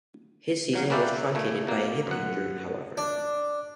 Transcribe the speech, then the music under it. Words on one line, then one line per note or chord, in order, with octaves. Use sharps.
His season was truncated by a hip injury, however.
A#2 F#3 F5
A#3 C#4 B4 D5 E5 G5
A#2 A3
B2 A#3
F#2 F#5
D4